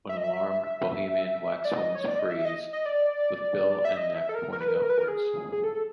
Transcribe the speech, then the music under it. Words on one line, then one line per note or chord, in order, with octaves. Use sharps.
When alarmed, Bohemian waxwings "freeze" with bill and neck pointing upwards.
E5
D#5
E5
D5
D#5
C#5
D5
D#5
E5
D#5
D#5
D5
E5
D#5
E5
A4
A#4
A#4
B4
A#4
B4
A#4
B4
A#4
G#4
G#4
A4